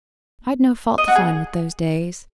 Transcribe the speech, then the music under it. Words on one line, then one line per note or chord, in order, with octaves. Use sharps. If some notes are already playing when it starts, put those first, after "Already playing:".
'I'd no fault to find with those days.
D#5
F#4
G#4